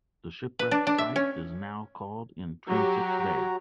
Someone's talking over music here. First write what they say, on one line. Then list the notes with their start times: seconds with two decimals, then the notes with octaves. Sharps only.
The shipwreck site is now called 'Intrinsic Bay'.
0.59 B4
0.71 D4
0.87 D4
0.98 E5
1.16 C#4
2.69 F#3 F#4 G4 A#5